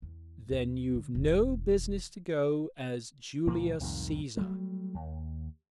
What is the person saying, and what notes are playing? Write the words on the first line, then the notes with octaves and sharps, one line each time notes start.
"Then you've no business to go as Julius Cæsar."
E2
D#2 C4
D3
E1
C#2 A#2 F3 A#3
C2 F2 G#2 D#3
F#3 G3 A3
D#2